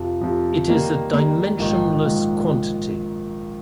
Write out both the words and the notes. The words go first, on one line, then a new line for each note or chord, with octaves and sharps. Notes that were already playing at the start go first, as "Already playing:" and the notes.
It is a dimensionless quantity.
Already playing: F2 C3 F3
F2 C3 F3
D#3 G3 A#3
D#3 G3 A#3
A#1 G#2 D#3
A#1 G#2 D#3